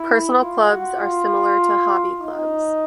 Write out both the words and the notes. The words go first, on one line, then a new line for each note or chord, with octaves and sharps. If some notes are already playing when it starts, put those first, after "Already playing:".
Personal Clubs are similar to Hobby Clubs.
Already playing: E4
F4
F#4
F4
D#4